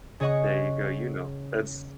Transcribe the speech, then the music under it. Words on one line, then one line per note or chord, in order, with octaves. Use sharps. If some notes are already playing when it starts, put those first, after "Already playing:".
There you go, you know. That's
C#3 G#4 C#5 D#5 F#5 C#6